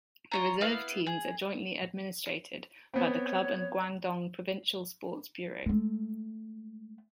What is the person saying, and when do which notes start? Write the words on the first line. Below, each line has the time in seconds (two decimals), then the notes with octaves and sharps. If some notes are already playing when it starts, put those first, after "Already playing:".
The reserve teams are jointly-administrated by the club and Guangdong Provincial Sports Bureau.
0.31 F4 C#5 A#5
0.61 B3 E4 F5
1.06 G#4
2.94 B3 C4 C#5
5.66 G#3 A3